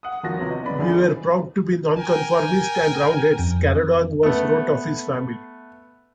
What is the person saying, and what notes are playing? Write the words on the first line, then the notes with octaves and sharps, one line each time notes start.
"We were proud to be nonconformists and Roundheads", Caradon once wrote of his family.
F#5 D#6
D#1 D#3 F3 F#4 F#5 A#6
C3 B3 C#5
D#5
C#3 B3 D5 B5
D#1 E2 D3 E3 G#4
A#4 G5 G#5
F2
A3 B3